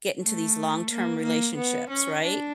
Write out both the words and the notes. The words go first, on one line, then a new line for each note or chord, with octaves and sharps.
get into these long-term relationships, right?
A3
A#3
A#3
B3
C#4
D4